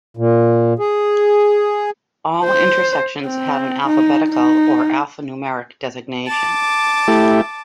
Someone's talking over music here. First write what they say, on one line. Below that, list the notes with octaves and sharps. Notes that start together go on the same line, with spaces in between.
All intersections have an alphabetical or alphanumeric designation.
A#2
G#4
C5
C4
D#4
D#4
A5 D6
A3 E4 G4